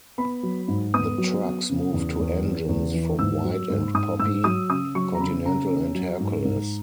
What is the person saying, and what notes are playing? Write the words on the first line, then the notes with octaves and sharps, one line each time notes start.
The trucks moved to engines from White and Poppe, Continental and Hercules.
B3 B5
F#3
G#2
B3 D#6
F#3
B3
C#3
E2
E2
E2
E2
E3
G#2 E6
F#3
G#2
G#2 D#6
G#2 E6
F#3 D#6
C#3 D#6
F#3 C#6
A#5
C#3 B5
C#3 A#5
C#4
F#3
G#2
G#2